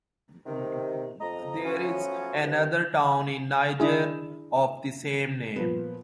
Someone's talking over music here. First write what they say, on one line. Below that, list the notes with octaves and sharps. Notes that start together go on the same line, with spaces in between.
There is another town in Niger of the same name.
C3 D#3
F2 D#5 A#5
F3 F#3 A3 B3 C#4
C2 G2
D4 E4 G#4
A#2 F3 B3